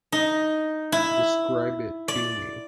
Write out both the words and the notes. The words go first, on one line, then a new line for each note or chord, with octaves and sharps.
Describe it to me.
D#4
E4
D5